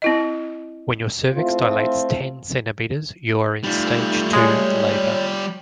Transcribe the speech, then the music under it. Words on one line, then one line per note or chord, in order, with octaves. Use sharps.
When your cervix dilates ten centimetres you are in stage two labour.
C4 E4 D#5
A3 C4 E4 F4
G3 A3 D#4 F4
G#3 C#5